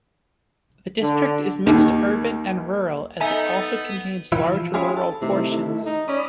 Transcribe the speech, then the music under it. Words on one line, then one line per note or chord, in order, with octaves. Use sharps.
The district is mixed urban and rural as it also contains large rural portions.
D3
D#2 D#3
B3 D#4 A4 E5 G#5 A#5
E3 E4 F4
F3
C#4 E4 F4 G4 G#4
A4
C3 D#3 A3 E4
D#4
C#4 D5 B5 D#6